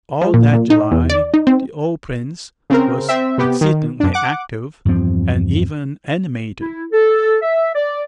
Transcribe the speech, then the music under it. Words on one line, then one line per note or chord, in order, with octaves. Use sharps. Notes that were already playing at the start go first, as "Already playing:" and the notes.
All that July the old prince was exceedingly active and even animated.
F3
A#2
A#2
D#4
E2
D5
D#4
C4
C#3 C4 A#4
C4 E5
C3 B3 G4
D#3
F#2 D4
F#5 D6
E2 G2 F3 C4
E4
A4
E5
D5